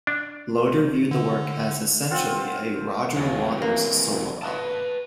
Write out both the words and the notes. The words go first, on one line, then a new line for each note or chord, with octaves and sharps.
Loder viewed the work as "essentially a Roger Waters solo album".
D4
D3
C4 F4 F#5
D#2 C3 E3 F#3
A#3
B4 A5